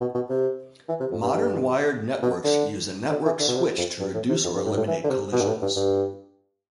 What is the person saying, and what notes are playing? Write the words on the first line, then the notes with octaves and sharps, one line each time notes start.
Modern wired networks use a network switch to reduce or eliminate collisions.
B2
B2
C3
E3
C3
F2
G2
G2
B2
D3
D3
E3
D3
B2
C3
F2
G2
A2
C3
F2
G2
A2
G2
A2
E3
D3
C3
B2
G2
A2
G2
G2